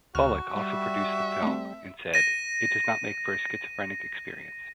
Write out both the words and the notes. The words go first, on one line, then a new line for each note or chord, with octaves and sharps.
Bullock also produced the film, and said, It does make for a schizophrenic experience.
D2 F#4 F6
G3 E5
A3 C4
A#6 D#7